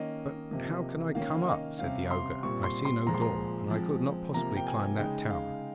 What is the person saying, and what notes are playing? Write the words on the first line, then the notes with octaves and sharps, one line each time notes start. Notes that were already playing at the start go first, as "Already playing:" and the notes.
'But how can I come up?' said the ogre, 'I see no door, and I could not possibly climb that tower.'
Already playing: D#3 A#3 C#4 D#5
C3 F3 A#3
D#3 A#3 C#4 F5
F5
D#5
C3 G3 C#4 F5
C6
A#2 G3 C4 C#6
C6
C6
A#2 F3 G#3 A#5
C6
A#5
F3 G#3 C4
C3 F3 A#3 A#5
G5
G#5
C#3 G#3 D#4 G5
F5